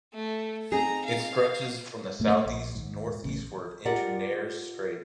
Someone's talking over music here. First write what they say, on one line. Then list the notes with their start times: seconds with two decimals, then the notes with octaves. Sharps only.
It stretches from the southwest northeastward into Nares Strait.
0.14 A3
0.72 C4 D#4 G#4 A#5
1.05 F5
2.20 G#2 A3 A#3
2.45 A#1
2.75 D#2 G#2
3.24 A1 C#3
3.85 F4 G4 G#4 A#4 D5 F#5